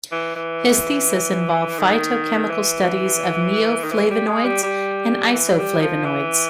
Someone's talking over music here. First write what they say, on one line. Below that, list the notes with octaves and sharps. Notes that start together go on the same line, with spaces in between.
His thesis involved phytochemical studies of neoflavonoids and isoflavonoids.
E3
E3
D#3
E3
D#3
E3
G3
G#3
G3
G3
E3
F#3
G3
F3
E3